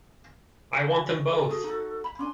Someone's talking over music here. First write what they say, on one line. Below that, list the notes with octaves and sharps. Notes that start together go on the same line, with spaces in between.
I want them both!
A4
F#4 G#4
D#4 F#4
B5
C#4 D4 G#5 C6